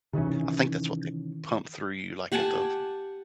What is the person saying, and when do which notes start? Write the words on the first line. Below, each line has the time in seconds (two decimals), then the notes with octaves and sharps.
I think that's what they pump through you, like, at the f
0.13 C3 D#3 E3 C#4
2.32 G4 F#5 G#5 A5